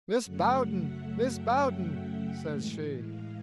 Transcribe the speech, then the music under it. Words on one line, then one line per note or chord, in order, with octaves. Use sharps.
'Mis' Bowden, Mis' Bowden!' says she.
F#2 C#3 F#3 A3 F#5
E5
G5
F#5
A2 E3 G#3
F5